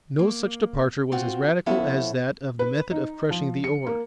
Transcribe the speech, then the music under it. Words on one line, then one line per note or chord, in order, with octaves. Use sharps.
No such departure was as radical as that of the method of crushing the ore.
A#3
C4 F4 F#4
F3 B3 C#4 E4 A4 E5
B4
D#4
F3
C#7
A#3